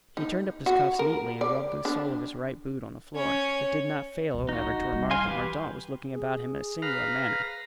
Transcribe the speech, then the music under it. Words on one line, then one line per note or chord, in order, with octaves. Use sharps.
He turned up his cuffs neatly and rubbed the sole of his right boot on the floor, but did not fail, however, to remark that Mordaunt was looking about him in a singular manner.
D#4
F#4
A#4
D5
D4
C#4 C#5
C#2 A#2
F3 D#4 F#4
A3
C#3 G3
F5 G#5 C6
E3 G#3 G4 B4
G#4
B4 F5 A#5